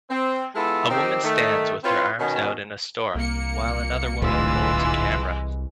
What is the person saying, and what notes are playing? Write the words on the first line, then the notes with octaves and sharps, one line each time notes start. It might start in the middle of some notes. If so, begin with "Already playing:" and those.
A woman stands with her arms out in a store while another woman holds a camera.
C4
G#3 B3 E4 F4 A4
D#3 C4 G4
D#3 A3
C4 E4 F4 B4 C#5 C6
B2 D#3 C#4
C2 A#3 C#7
D1 D2 G#2 E3 G#3 F4 E6